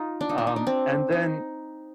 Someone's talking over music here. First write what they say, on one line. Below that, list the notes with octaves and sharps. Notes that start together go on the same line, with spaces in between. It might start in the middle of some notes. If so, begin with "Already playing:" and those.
Um, and then
Already playing: D#4 F4
D4
D#4
D4
D#4
D4
C4
D#4